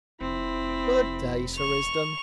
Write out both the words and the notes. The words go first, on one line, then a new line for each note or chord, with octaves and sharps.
Good day, Sir Risdon.
F1 C4 E4 B5
C#6 F7